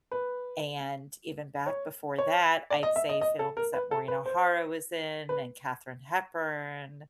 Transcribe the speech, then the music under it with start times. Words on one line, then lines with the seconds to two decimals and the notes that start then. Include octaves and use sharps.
and even back before that, I'd say films that Maureen O'Hara was in and Katharine Hepburn.
0.12 B4
1.66 C#5
2.18 C#5
2.70 D5
2.83 D#5
2.96 E5
3.09 D#5
3.21 D#5
3.39 A4
3.57 A#4
3.74 B4
3.91 A4
4.08 B4
4.26 C5
5.29 B4